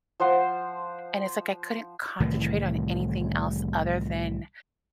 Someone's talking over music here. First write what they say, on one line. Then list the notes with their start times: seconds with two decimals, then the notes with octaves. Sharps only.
And it's like I couldn't concentrate on anything else other than
0.20 F3 C5 F#5 C6
2.20 C2 A2 D#3 E3